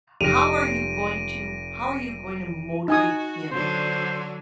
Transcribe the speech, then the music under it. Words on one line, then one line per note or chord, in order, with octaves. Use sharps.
How are you going to how are you going to motivate him
F1 G4 A#6 D7 D#7 F7
D#4 F#4 G#5 D#6
D3 F#3 D4 C5